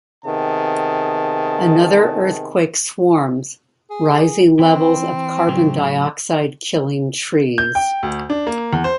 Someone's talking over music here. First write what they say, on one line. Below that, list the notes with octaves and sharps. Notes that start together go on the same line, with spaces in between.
Another earthquake swarms, rising levels of carbon dioxide killing trees.
C3 D#3 B3 G#4 A5
G#4
E3 C4
A2 C#3 F#3
G6
G5
D2
D4
A#3
E2
C5